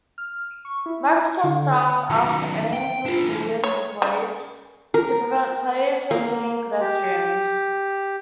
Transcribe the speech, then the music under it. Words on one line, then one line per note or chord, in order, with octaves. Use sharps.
Microsoft staff asked Angel Studios employees to prevent players from hitting pedestrians.
F6
C#6
E4
D3
D#6
D#3 F#3
G5
D4 F4
E3 F5
C#5
C#3
A#4
A#3
G4